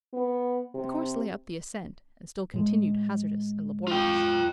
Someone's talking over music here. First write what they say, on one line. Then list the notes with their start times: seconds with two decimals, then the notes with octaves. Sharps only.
The course lay up the ascent, and still continued hazardous and laborious.
0.13 B3
0.74 C3
2.54 A2 G#3
3.88 F4 G5